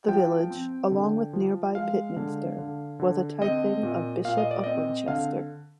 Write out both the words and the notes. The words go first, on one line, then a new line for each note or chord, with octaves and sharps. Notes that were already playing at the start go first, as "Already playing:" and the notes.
The village, along with nearby Pitminster was a tithing of Bishop of Winchester.
F3 G5
C4
D3
F3
G#3 F5
D3
D3
D3
C4 D#5
A#2
A#2 F5
D#5
D5
C4 D#5
D3 F5